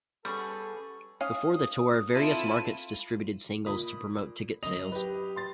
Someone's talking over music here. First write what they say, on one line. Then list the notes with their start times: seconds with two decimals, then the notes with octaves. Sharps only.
Before the tour, various markets distributed singles to promote ticket sales.
0.25 G3 B3 C#4 G#4 A4 C#6
1.21 C#4 F5 D#6
2.15 C4 E4 F4 A4 D#7
3.66 A#2 B5 D#6
4.63 F#2 D#5 F7
4.92 G4 B4
5.36 C6 A6